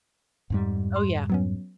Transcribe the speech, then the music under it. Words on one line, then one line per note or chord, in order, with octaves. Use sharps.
Oh, yeah.
F2 G#2 G3
C6
F#3 B3 C#4